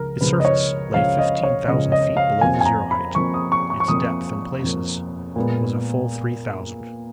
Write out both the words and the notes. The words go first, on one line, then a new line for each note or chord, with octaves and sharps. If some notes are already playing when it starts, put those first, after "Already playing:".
Its surface lay fifteen thousand feet below the zero-height; its depth in places was a full three thousand.
Already playing: C#2 C#3 F3 A#4
C#2 C#3 F3 B4
D#5
C#5
C#2 C#3 F3 F5
D#5
C#5
C#2 C#3 F3 D#5
D#5
F5
F2 F3 A#3 G#5
G#5
A#5
B5
F2 F3 A#3 C#6
D#6
C#6
C#6
C#6
F2 F3 A#3 D#6
F2 F3 A#3
A#2 G#3 B3